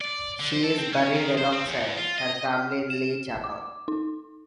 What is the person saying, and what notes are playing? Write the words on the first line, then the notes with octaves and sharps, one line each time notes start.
She is buried alongside her family in Lee Chapel.
D5
D3
C5
A4
C4
C#4
D#3
C5
C4
E2
F4
D#5
F6
E7
D6
D#4